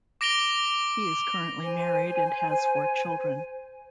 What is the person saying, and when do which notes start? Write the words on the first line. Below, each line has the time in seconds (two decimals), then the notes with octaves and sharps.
He is currently married and has four children.
0.21 D6 A#6 D7 F7 G7
1.63 C5 G#5